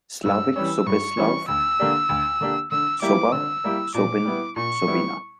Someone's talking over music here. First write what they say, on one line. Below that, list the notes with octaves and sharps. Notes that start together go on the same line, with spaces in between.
Slavic Soběslav - "Soba", "Sobin", "Sobina".
G2 E6
E3 G3 C#4 E6
G2 C#6
E3 G3 C#4
D2 E6
D3 A#3 D4 G4
D2
D3 A#3 D4 G4
D3 E6
G3 A#3 E4 G4 D6
D3 E6
G3 A#3 E4 G4
A#2 D6
G3 B3 E4
A#2 C#6
G3 B3 E4